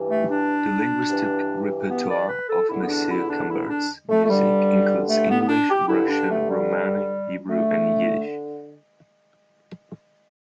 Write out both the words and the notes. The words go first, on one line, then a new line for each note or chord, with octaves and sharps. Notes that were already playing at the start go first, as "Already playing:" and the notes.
The linguistic repertoire of Monsieur Camembert's music includes English, Russian, Romani, Hebrew and Yiddish.
Already playing: G2 E3
A3
D4
G2 E3
B3
D5
B4
A4
E2 D3 E4
B3
D4
E4
D4
E4
D4
A3
A3
G2 D3 G3
A3
B3
B3
D4
G4
G2 D3 E4
D4
A3
G3
D3 A3